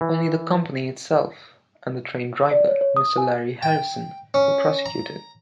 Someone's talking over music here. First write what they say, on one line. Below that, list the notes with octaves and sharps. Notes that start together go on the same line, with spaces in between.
Only the company itself and the train driver, Mr Larry Harrison, were prosecuted.
E3
D5
C#5
C#5
D#6
G#5
G5
C#4
A#5